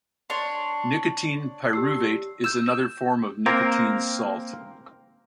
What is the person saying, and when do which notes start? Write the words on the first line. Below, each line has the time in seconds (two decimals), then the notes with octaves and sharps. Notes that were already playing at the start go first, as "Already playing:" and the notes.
Nicotine pyruvate is another form of nicotine salt.
0.30 D4 C#5 C6
1.73 G4 E6 C7
2.44 E6 G6 E7
3.46 A#3 C4 A#4